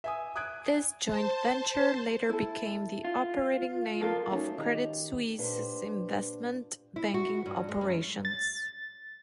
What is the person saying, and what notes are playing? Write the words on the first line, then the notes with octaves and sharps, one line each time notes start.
This joint venture later became the operating name of Credit Suisse's investment banking operations.
E5 G#5 D#6
D#6 F#6 G#6 D7
C5 A5
E4 A4
F4
F2 F4 A4 A#4
G3 A3 A#3 C#4 D#4 F#4
D#3 G4 A#5
A#2 D4 G4 B4 C5
E4
F#4
G2
G#3
F#2
A6